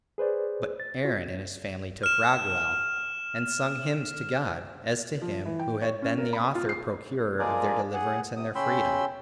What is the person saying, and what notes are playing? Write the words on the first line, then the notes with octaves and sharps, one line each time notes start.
But Aaron and his family took Raguel, and sung hymns to God, as to Him who had been the author procurer of their deliverance and their freedom.
G#4 B4 C5 D5
A6
F4 F#4
F6 E7
F3
E3
G5
C#5
C#4
A#4
B5
F4
C7
F3 G#3 A#3 G#4 A#4 D5
G#4 F#5
C3 D#6
C#3 C#4 G5 B5 C6 E6